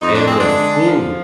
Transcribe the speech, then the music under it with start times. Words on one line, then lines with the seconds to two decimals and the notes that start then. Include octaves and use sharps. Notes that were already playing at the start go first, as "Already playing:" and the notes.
paying with food,
0.01 F2 D#4
0.14 D4
0.27 G#3 C4
0.41 D3 D4
0.58 D3
0.85 F3